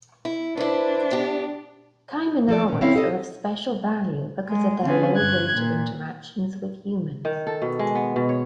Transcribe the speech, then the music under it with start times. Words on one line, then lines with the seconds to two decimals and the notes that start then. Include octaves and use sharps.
Kaimanawas are of special value because of their low rate of interaction with humans.
0.25 E4
0.57 D4 E4 B4 C5
1.11 B3 G4
2.49 F3 A4 D5
2.68 A#2 C#4
2.81 C4 C#4 E4 C#5 F5
2.94 D#4 G4 A4 C5 D#5
4.48 G#3
4.84 D3 C4 C#4 G#4 B4
5.17 G2 F#6 G#6
5.54 A#2
7.25 D#3
7.47 A4
7.62 B2
7.79 G#3
7.95 B3
8.16 B2
8.29 C#5